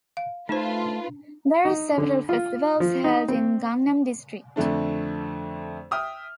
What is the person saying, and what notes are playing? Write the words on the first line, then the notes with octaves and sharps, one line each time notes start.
There are several festivals held in Gangnam District.
F5
A3 D#4 F4 B4 C5 A5
D#4
D3
F4
F3
D#4
C4
F2 D3 A3 D4
E5 G5 D#6 F6